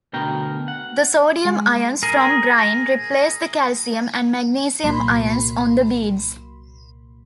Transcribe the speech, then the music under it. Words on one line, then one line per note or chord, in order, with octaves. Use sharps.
The sodium ions from brine replace the calcium and magnesium ions on the beads.
D2 B2 A#4 G5
F#5
G#3
G#4 A#4
C2 A#2 F#3 A#3 B5 C6